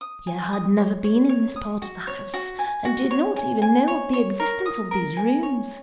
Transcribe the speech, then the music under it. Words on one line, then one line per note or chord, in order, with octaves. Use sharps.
Pierre had never been in this part of the house and did not even know of the existence of these rooms.
D#6
G#5
D#6
C#5
C#5
C#5
D#6
F#4
C#5
F#4
G#5
F#4
C#5
G#5
G#5
C#5
C#5
A#4
D#6
A#4
G#5
C#5